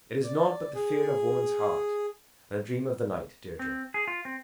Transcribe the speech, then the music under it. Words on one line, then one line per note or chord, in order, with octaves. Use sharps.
It is nought but the fear of woman's heart, And a dream of the night, Deirdre.
D5
G#4
C4
G#4
F4
C4